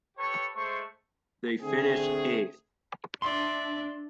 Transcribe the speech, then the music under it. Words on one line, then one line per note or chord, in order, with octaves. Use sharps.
They finished eighth.
G4 A4 B4 C#5
G#3 A3 C5 C#6
D3 A3 C4 G#4
D4 D5 E5 C6